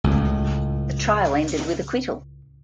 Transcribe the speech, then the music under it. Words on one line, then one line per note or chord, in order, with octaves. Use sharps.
The trial ended with acquittal.
C#2 A2